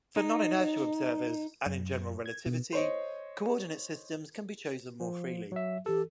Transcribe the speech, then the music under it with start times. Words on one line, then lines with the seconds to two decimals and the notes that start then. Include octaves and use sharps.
For non-inertial observers, and in general relativity, coordinate systems can be chosen more freely.
0.16 D#4
1.66 F#2
2.26 G#6
2.46 B2
2.73 C5 C#5 D#5
5.00 F3
5.52 F#3 E5
5.86 E3 G4 A4